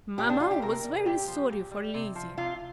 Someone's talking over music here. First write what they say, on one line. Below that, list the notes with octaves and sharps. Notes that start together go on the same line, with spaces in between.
Mamma was very sorry for Lizzie.
A#2 G4
D4
G3 F4
G4
C3 A#4
G3
A#2 G4
F3
A#2
G3
C3
F3
C3 F4